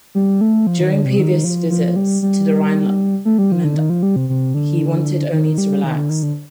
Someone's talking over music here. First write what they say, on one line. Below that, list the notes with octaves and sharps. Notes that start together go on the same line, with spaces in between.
During previous visits to the Rhineland he wanted only to relax.
G3
A3
F3
D#3
D3
C3
D#3
F3
F3
G3
G3
A3
G3
F3
D3
D#3
F3
G3
C3
C3
D3
D#3
G3
D#3
D3
D#3
D3